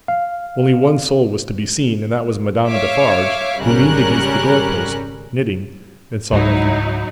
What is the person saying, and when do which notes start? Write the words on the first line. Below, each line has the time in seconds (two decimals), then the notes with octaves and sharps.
Only one soul was to be seen, and that was Madame Defarge--who leaned against the door-post, knitting, and saw nothing.
0.08 F5
2.68 C#5 E5 F5 D6
3.60 G#1 C#3 G3 C#4 A#4 F#6
6.32 C#2 G#2 F#3 D#4 E4